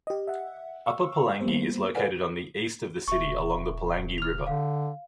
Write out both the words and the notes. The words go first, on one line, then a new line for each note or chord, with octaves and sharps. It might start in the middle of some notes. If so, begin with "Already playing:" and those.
Upper Pulangi is located on the east of the city along the Pulangi River.
G4 D#5
E5 F#5
F5 C#6 E6
G3 A#3 B3 C5
A4 B4 D5 F5 F#5 G#5
D#1 E5 C#6
F6 F7
D3 F5